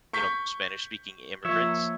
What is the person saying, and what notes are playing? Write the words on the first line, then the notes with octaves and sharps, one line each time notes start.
you know, Spanish-speaking immigrants,
C#6 G6 B6
F3 A#3 C#5 E5